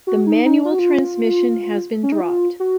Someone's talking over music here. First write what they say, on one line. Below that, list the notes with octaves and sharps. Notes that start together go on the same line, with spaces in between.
The manual transmission has been dropped.
F#4
D#4
D#4
F4
F#4
F4
C#4
D#4
F4
F#4